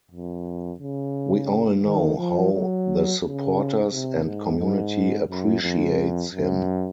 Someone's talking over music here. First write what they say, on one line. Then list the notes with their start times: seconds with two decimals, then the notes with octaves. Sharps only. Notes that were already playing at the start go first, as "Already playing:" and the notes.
We all know how the supporters and community appreciates him.
0.11 F2
0.80 C#3
1.83 D#3
2.18 F3
2.53 F#3
3.22 C#3
3.90 C3
4.25 G#2
4.59 G#2
5.29 F#2
5.63 F2
6.32 F#2